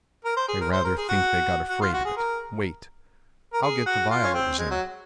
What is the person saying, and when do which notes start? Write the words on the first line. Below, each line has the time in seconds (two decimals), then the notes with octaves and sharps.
I rather think they got afraid of it. Wait, I'll get the vial it was in.
0.24 A#4
0.37 C5
0.48 G#4
0.60 A#4
0.72 C5
0.84 A#4
0.97 G#4
1.08 F#4
1.69 F#4
1.81 F4
1.93 F#4
2.05 G#4
2.17 A#4
3.53 A#4
3.62 G#4
3.86 F#4
4.10 F4
4.24 C#4
4.34 C4
4.58 G#3
4.70 F#3